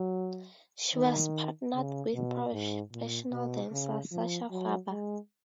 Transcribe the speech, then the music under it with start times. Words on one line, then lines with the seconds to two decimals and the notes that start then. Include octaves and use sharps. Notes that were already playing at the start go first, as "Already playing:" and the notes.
She was partnered with professional dancer Sasha Farber.
Already playing: F#3
0.95 D#3
1.75 C#3
2.14 B2
2.53 G#2
2.92 A#2
3.32 B2
3.72 C#3
4.11 F3
4.51 F#3
4.90 G#3